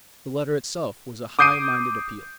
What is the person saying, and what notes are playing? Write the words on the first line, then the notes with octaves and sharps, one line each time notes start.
The letter itself was a high minded appeal . . . .
D6 D#6 G6 C7 D7 D#7